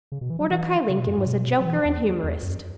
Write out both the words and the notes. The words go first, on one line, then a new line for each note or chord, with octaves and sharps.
Mordecai Lincoln was a joker and humorist.
C#3
B2
E3
F#3
E3
C#3
B2
F#2
G#2
B2
F#3
E3
E2
E2
F#2